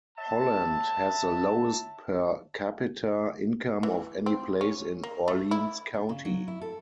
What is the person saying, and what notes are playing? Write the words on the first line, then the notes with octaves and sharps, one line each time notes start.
Holland has the lowest per capita income of any place in Orleans County.
C#5 E5 F#5 A5
E3
C4
C#4
A#3
A3
E4
D4
C#3
F#3
E4
A4